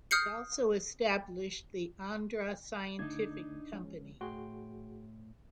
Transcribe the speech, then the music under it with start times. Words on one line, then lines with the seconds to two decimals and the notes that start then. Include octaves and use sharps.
He also established the Andhra Scientific Company.
0.11 D#6 F6 G6 C7 C#7
2.99 D3 A3 D4 D#4 G#6
3.72 F3 G#3 C#4
4.21 A2 F#4 G#4 G5 C6